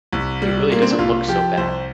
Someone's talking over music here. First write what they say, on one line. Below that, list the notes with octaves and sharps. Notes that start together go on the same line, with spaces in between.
He really doesn't look so bad.
C2
G3
A#2 A#3
C4
D4
C2 F4
F3 G4
C2 C5